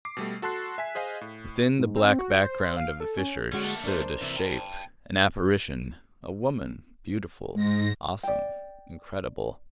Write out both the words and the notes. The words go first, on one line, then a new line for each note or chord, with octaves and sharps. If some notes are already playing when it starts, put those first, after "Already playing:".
Within the black background of the fissure stood a shape, an apparition, a woman--beautiful, awesome, incredible!
D6 C7
B2 G3 A3
F#4 A4 A5 C6 F#6 C7
E5 G#5 B6
G#4 C5 D#5 F5 G#5
A2
G#2
C4
F#4
C5
F5
A4
C#4
D3 G#3 C#4 F#4
A3 A#3 A4
D4 A#4 C5
C3 E3 E5
G5 A5
G#2 G#3 A#6
D5 G5